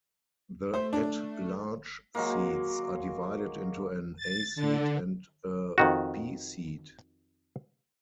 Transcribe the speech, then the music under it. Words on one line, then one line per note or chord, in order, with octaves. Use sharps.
The at-large seats are divided into an "A" seat and a "B" seat.
A3 C5
D4
F#3 G#3 A#3
A6
D3
F2 D#3 F#4